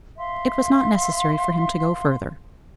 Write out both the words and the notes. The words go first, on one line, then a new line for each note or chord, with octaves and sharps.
It was not necessary for him to go further.
E5 F5 C6